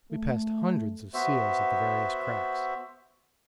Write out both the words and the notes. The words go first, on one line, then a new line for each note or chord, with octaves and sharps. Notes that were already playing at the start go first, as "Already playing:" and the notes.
We passed hundreds of seals at the various cracks.
A3
B3 F#4 C5 E5